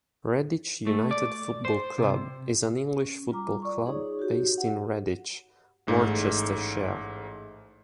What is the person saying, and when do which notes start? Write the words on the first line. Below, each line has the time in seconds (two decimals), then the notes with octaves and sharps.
Redditch United Football Club is an English football club based in Redditch, Worcestershire.
0.87 A3
1.11 D5
1.65 C5
1.98 C3
3.00 C#4
3.31 G3 F4 A#5 D6
3.62 D5 C#6
3.86 D#4 G#4 C#5
4.19 F#4 G4
4.58 F#5
5.87 A1 G#2 A3